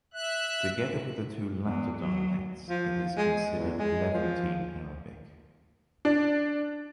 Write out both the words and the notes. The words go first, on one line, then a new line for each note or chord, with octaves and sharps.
Together with the two latter dialects, it is considered Levantine Arabic.
E5 F#6
E2
F#3
F3
G#3
E2
G#3
F3
D4